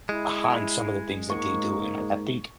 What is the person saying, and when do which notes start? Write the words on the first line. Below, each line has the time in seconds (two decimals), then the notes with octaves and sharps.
behind some of the things that they do, and I I think
0.09 G#3 E4
1.30 G#2 A#3 C#6